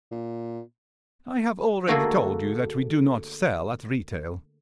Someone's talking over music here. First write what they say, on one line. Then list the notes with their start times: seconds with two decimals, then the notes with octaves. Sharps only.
"I have already told you that we do not sell at retail."
0.11 A#2
1.87 D3 A3 A#3 F#4 G#4 A4